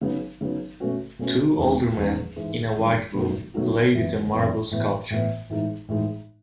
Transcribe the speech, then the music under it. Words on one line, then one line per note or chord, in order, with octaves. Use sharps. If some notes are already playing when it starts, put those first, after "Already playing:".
Two older men, in a white room, play with a marble sculpture.
C#3 F#3 B3 D#4
C#3 F#3 B3 D#4
B2 A3 C#4 F#4
B2 A3 C#4 F#4
E2 D#3 G#3 C#4
E2 D#3 G#3 C#4
G#2 E3 G#3
G#2 E3 G#3
B2 F#3 A3 D#4 F#4
B2 F#3 A3 D#4 F#4
F#2 E3 B3
F#2 E3 B3
A2 E3 B3
A2 E3 B3
A2 E3 G#3 D#4
A2 E3 G#3 D#4